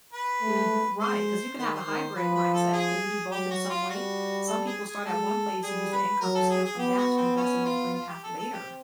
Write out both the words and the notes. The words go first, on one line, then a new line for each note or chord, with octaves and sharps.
Mhm, right 'cause you can have a hybrid mindset, can you do both in some way? Some people start at one place and use the income or skills from that to invest in their dream path later.
B4
A3
G#3 C5
D#3 C5
B4
C5
D#3
F3 B4
B4
A4
G#4
F#3 G4
F#4
F4
G3 F#4
A4
G#4
G#4
G#3 A4
G3 G#4
B4
F#3 A#4
A4
G#4
G#4
B3 G4
F#4
C4
C#4
F4
F4
G4
A4
A4
C4 G4